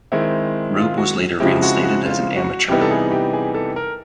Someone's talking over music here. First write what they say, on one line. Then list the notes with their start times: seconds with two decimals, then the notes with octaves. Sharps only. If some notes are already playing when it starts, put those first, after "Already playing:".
Rube was later reinstated as an amateur.
0.12 D#3 G#3 C4 E4
0.77 F4
0.97 F#4
1.40 C#3 F3 G#3 C4 E4 G4
1.62 F#4
1.83 F#4
2.05 F4
2.36 F#4
2.69 C3 E3 G3 B3 D#4 G4
2.81 A4
2.91 G#4
3.11 G4
3.33 G#4
3.54 A4
3.76 A#4